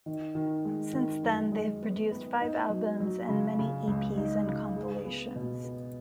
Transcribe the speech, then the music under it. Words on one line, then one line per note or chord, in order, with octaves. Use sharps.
Since then, they have produced five albums and many eps and compilations.
D#3
D#3
G#3
D#3
F#2
G#3
B3
B3
D#4
F#3
F#3
C#3
C#3
C#2
D#4
C#3
G#4
B3
B2
B3